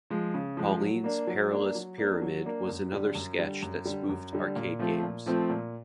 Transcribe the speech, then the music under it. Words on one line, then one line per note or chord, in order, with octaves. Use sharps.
"Pauline's Perilous Pyramid" was another sketch that spoofed arcade games.
F3 G#3
C#3
F3 G#3
F#3
A#3 D4
F#3
A#3 D4
F#3
A#3 D4
F#3
A#3 D4
F#2
D3 G3
F#2
D3 G3
F#2
D3 G3
F#2
D3 G3
A#2
F3 A3 C4 F4
A#2
F3 A3 C4 F4
A#2